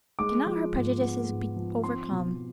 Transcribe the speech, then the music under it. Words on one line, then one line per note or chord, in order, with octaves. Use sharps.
"Cannot her prejudices be overcome?"
G#3 D6
F3
G#2
B3
G#2
F3
C4 C6
B2